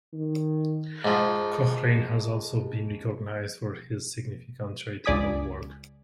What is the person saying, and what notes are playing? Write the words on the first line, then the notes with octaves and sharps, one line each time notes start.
Cochrane has also been recognized for his significant charitable work.
D#3
G#2 F3
C#2 G#4 D5 G#5 D#6 B6